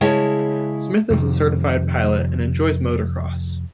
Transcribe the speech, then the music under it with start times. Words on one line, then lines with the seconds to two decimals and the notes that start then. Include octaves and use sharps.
Smith is a certified pilot, and enjoys motorcross.
0.01 C#3 G#3 E4 C#5 A5
1.10 F2 C3 D#3